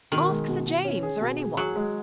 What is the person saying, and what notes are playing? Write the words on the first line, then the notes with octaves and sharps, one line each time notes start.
Ask Sir James or anyone.
B2 D#3
G#3
B2
B2
C#4
G#4
B2
G#4
F#3 G#4
G#3